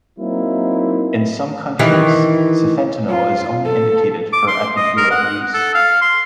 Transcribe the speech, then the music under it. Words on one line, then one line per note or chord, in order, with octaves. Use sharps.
In some countries, sufentanil is only indicated for epidural use.
F#3 A#3 C4 D#4 E4
D#3 E3 G4
F4
A4
D6
C6
D#5
A#4
F#5
A4
F5
C6